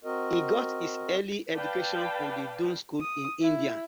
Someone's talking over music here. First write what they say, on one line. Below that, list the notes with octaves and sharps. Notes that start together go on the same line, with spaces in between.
He got his early education from the Doon School in India.
C4 F#4 A#4 D#5
B4 D5 F5 G5 A5
D#6
E4